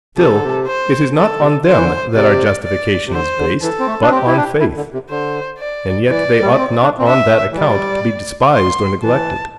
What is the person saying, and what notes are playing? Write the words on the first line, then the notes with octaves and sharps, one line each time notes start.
Still it is not on them that our justification is based, but on faith; and yet they ought not on that account to be despised or neglected.
C3 A4
D3
C3
C5
D3 A4
C3
D3 C5
E3
D3
C3 D5
D5
C3
D3 C5
D3
E3 A4
C4
A3
D4
C4 G4
E4
D4
E4
D3
C3
D3 C5
D5
E3 D5
G3
A3
C4
D4
C4
D4 E5
A3
E3
G3 D5
C6
E3 A5